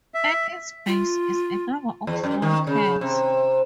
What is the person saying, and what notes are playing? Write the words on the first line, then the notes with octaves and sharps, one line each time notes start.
At its base is a number of small caves.
E5
F4
E2
F#2
D#3
C#3
C3